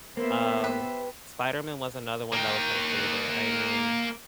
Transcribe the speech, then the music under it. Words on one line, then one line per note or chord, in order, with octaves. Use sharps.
Um, Spider-Man was another one that was my favorite. I mean,
A#3 B3 C5 E5
G4 B4
A#3 G5